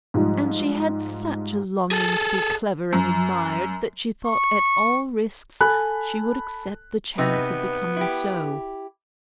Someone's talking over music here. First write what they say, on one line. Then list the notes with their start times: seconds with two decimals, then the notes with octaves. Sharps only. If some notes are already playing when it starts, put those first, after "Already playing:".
And she had such a longing to be clever and admired that she thought at all risks she would accept the chance of becoming so.
0.14 G#2 F3 G3 D#4
1.91 G#4 A4
2.93 F#2
4.25 C#6
5.61 A4 G#5 B5 F#6
7.18 C3 B3 D#4 B4
7.97 E4 G4